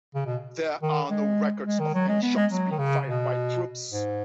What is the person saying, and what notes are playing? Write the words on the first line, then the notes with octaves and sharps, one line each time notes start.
There are no records of any shots being fired by troops.
C#3
B2
D#3
G#3
G#3
D#3
F#3
G#3
B3
G#3
F#3
D#3
C#3
B2
G#2